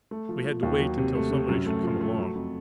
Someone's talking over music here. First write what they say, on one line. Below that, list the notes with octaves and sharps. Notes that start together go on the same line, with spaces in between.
We had to wait until somebody should come along.
A3
F3
F3
D#2
F#3
C3
A3
C3
F#2
A3
F3
A3
F#3
F2